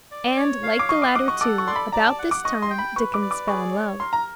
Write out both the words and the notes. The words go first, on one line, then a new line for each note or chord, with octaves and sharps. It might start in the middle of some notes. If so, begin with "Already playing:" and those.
And like the latter, too, about this time Dickens fell in love.
D5
C#5
F5
D6
D#5 C#6
D6
F#5 D6
C#6
A4 D6
C#6
D5 C6
B5
D5 A#5
A5
F#5
D6
D#5 C#6
C6
G5
B5
B4 C#6
D6
D5
D6
G#4 C#6
C#5
A#4 C6
A#5